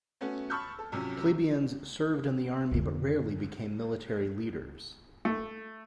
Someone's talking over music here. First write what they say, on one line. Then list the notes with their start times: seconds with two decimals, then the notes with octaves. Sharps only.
Plebeians served in the army, but rarely became military leaders.
0.21 A3 B3 C#4 F#4
0.50 A5 B5 C#6 E6 F6 G6
0.79 A4
0.92 F#2 C3 F3 C#4
2.71 F2 D3
5.25 A3